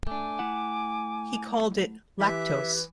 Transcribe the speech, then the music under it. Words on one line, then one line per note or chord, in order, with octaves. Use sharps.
He called it "lactose".
A3 D4 G#5 D6
A3 E4 F#5
E3 G4 B4 E5